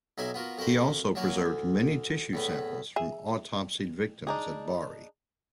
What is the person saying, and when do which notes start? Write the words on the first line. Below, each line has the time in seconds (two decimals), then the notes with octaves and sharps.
He also preserved many tissue samples from autopsied victims at Bari.
0.18 B1 F#3 D#4 D5 E5 G#5
0.34 B3 F4 F#4 A#4
0.58 F2 F#4 A#4 C5 B5
1.15 F#2 F#3 A#3 F#4 D5 F5
1.46 D2
2.33 E2 A2 B3
2.96 G#4 E5
4.27 D4 D#4 G#4